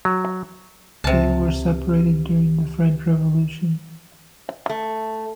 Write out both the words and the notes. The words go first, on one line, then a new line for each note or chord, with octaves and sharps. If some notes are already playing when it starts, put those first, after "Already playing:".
They were separated during the French Revolution.
F#3
C#2 C3 A5
A3